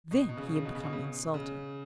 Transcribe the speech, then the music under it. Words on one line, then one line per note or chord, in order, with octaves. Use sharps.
Then he had become insulting.
B2
B2
C#3
B2
C#3
B2
C#3
B2
C#3
B2
C#3